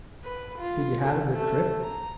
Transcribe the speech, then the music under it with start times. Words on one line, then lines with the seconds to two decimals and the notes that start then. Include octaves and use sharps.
Did you have a good trip?
0.24 B4
0.59 F4
1.02 A3
1.33 A3
1.82 A#5